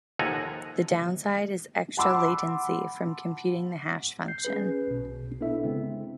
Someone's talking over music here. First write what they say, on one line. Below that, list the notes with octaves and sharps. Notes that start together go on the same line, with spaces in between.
The downside is extra latency from computing the hash function.
D#2 F3 A4 F#5 G#5 A#5
F#5 A5 B5 C6 D6 E6
G6 C7
C#4 G#4 B4
B1 B2
B3 D4 E4 A4 E5
C#3 G#3 C4